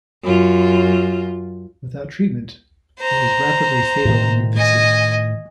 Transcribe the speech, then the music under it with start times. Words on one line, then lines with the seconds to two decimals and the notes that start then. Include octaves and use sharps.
Without treatment, it is rapidly fatal in infancy.
0.24 F#2 F4
2.99 C5 A#5
4.05 A2 D#3
4.56 D#5 G#5